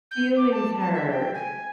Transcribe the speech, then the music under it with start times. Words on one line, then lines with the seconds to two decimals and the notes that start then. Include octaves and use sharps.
feelings hurt.
0.11 G6
0.36 D6
0.51 A5
0.79 A5
0.94 E5
1.10 G5
1.34 G#5